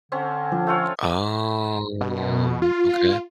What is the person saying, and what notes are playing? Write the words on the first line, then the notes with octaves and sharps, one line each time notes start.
Oh, okay.
D3 C4 C#4
F3 D4
A3 F4 C#5
B2
F4